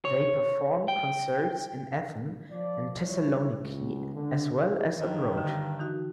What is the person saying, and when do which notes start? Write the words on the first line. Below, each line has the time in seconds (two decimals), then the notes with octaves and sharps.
They performed concerts in Athens and Thessaloniki as well as abroad.
0.05 C#5
0.88 G5
2.51 F3 D5
3.02 G3 E4 C#5
3.61 C#2
4.14 D3
4.99 G2 D#3 D#5
5.38 D3
5.79 E3 D#4 F#4